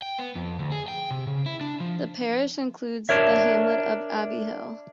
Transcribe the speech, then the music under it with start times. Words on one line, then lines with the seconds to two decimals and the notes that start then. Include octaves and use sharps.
The parish includes the hamlet of Abbey Hill.
0.02 G5
0.18 B3
0.35 F2
0.59 D2
0.72 G#4
0.88 G5
1.11 C3
1.27 C#3
1.46 E4
1.61 D4
1.80 F3
3.09 D4 A#4 C#5 E5